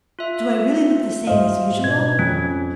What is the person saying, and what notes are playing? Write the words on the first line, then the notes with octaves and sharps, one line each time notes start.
Do I really look the same as usual?
F4 E5
G#2 C5 D#5 F5
B2 G#6
F2 C#4